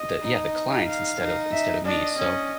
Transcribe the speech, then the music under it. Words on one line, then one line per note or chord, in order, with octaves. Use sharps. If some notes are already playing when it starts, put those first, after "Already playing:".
the yeah, the clients instead of instead of me, so
Already playing: D#5
D#4
F5
D#4
E5
D4 D#5
C#4